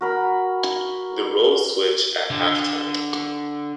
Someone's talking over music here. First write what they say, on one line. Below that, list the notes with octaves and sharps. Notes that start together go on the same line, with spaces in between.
The roles switch at half time.
F#4 A#4 B5
D3